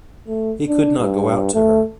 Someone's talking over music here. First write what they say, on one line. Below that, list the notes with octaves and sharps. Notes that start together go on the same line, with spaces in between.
He could not go out to her.
A3
D4
G2
A3